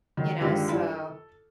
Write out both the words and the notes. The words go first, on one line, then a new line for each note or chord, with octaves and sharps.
you know, so
D#3 F#3
G2 D3 D#3 G#3 F4 G4
G3 D4 E4 F4
A4